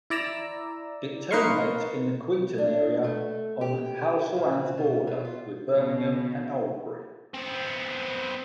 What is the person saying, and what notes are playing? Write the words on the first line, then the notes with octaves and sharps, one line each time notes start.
It terminates in the Quinton area on Halesowen's border with Birmingham and Oldbury.
E4 D5 A#5 E6
D#4 A#4 B4 F5 C6 C#6
D4
A3
G4
A#2
C4
B2
B2
F4
B2
B3 C4